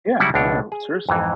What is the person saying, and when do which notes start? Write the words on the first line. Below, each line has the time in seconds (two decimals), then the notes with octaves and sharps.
Yeah, I know, seriously.
0.20 C#3 F#3 G3 E4 F#4 F#5
0.34 C#2 B2 D4 C#5
0.72 G#4
1.09 F2 G#2 E3